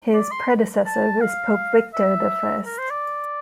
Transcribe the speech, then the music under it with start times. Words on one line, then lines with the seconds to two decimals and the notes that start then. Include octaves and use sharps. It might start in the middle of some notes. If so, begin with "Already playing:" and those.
His predecessor was Pope Victor the First.
0.13 D5
0.31 C6
0.86 A5
1.21 F5
1.94 E5
2.66 A#4
2.78 C5
2.90 D5